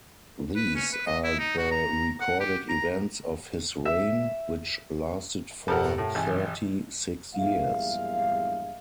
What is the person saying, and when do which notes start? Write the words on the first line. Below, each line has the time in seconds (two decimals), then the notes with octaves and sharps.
These are the recorded events of his reign, which lasted for thirty-six years.
0.56 B4
0.76 C#4
0.93 B4
1.07 D#5
1.24 E4
1.39 D#4
1.58 F#4
1.71 A#5
2.21 F#5
2.40 G4
2.69 A#5
3.85 E5
5.68 G2 B2 G4 A4 A#4 F#5
5.98 A2
6.15 G#1 E3 G#5
7.35 A#1 E2 G2 G#3 E5 F5